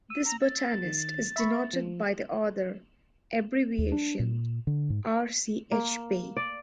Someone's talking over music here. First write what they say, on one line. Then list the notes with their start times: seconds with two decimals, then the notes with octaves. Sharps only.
This botanist is denoted by the author abbreviation Rchb.
0.10 E6 D#7
0.25 A#5
0.42 A6
0.85 D#3
1.36 E5 B5 C#6
1.73 F3
3.78 D#2
3.92 D4
4.19 A#2
4.67 D3
4.90 G#2
5.72 A#3
6.37 D5